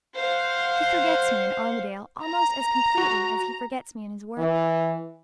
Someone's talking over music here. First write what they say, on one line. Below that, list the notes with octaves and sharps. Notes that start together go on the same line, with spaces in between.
He forgets me in Armadale almost as completely as he forgets me in his work.
C5 F5 F#5 C6
A#5
F#4
E3